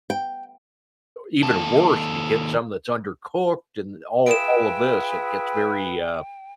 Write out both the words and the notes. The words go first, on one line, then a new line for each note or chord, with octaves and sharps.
even worse, if you get something that's undercooked and all all of this, it gets very, uh,
G5
D#2 A4
F4 G#4 B4 E5 G5 D7 E7